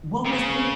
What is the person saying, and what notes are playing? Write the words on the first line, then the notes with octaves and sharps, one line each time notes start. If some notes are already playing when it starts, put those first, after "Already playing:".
what was the
C3
C#3